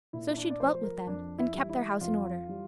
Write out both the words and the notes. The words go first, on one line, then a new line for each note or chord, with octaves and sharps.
So she dwelt with them, and kept their house in order.
A#2 E4
E4
D4
D5
F3 A3 C5
A#4
F2 D4
E4
E3 G3
E4
F2 F4
E3 G3